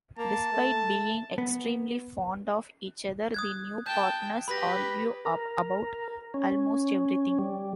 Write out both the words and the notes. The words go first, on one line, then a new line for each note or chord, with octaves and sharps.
Despite being extremely fond of each other, the new partners argue about almost everything.
A#3 A5
A3
B3
D#6 F#6 G#6
G5 A5 G6
G4 B4 B5 A#6
A#4
C#4
G3